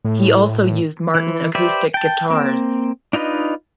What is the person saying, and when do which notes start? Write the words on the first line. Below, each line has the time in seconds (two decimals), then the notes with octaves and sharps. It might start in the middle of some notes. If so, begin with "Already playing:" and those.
He also used Martin acoustic guitars.
0.05 A2
1.15 E3
1.55 G4 B4 C5 D5 E5
1.94 G5 A5
2.30 A#3 C4
3.13 D4 D#4 F4 B4 D#5